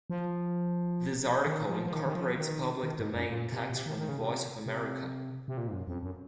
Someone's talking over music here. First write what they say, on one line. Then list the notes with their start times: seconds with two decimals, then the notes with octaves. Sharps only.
This article incorporates public domain text from the Voice of America.
0.10 F3
1.47 D#3
1.69 F3
1.86 F3
1.93 D#3
2.06 D#3
2.15 F3
2.38 D#3
2.83 D#3
2.99 G#2
3.14 F#2
3.30 A#2
3.52 C3
3.70 A#2
3.74 C3
3.86 D#3
3.98 D#3
4.09 C#3
4.20 C3
4.66 C3
5.48 C3
5.57 A#2
5.68 G#2
5.72 F#2
5.88 F2
6.03 F#2